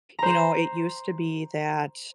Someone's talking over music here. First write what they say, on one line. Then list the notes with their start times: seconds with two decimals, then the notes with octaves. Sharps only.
You know, it used to be that,
0.19 C5 A#5